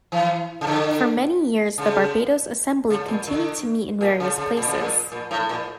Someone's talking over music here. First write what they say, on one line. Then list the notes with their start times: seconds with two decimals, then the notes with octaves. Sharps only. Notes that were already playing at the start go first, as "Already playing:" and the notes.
For many years the Barbados Assembly continued to meet in various places.
0.12 E3
0.61 C#3
0.67 D3
1.78 C#3
2.90 C#3
3.08 A#2
3.27 D3
4.01 A#2
4.20 C#3
4.38 C#3
4.57 A#2
4.67 C#3
4.78 A#2
5.12 A#2
5.31 A2
5.49 A#2